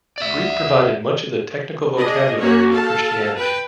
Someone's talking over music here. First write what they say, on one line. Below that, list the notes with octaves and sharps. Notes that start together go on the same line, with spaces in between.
Greek provided much of the technical vocabulary of Christianity.
D5 E5
D4 G#4 D#5
A#3 C#4 F#4 C#5
A4 F5 A5
B4 G5